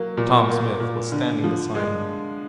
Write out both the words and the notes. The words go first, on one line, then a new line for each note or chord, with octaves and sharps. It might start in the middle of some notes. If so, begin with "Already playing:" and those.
Tom Smith was standing beside him.
Already playing: F#3 A#3
A#2
A#3
A#2
D3
F3
G#3